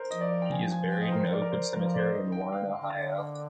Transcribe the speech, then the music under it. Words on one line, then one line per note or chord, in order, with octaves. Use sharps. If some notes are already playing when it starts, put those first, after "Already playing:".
He is buried in Oakwood Cemetery in Warren, Ohio.
Already playing: A#4 C5
F3 D#5
D5
G5
F3 G#5
G#5
G5
D#5
C5
A#4
C5
D5
A#4
C5
F3 A#4
A#4
D5
C5
D#3 D#5
G5
D#3 F5
D3
D3
D3